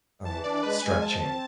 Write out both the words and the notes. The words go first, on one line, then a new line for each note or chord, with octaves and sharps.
um, stretching.
E3 A5
D4 D5
G#3 B4
G#3 G#5
F3 A5
C4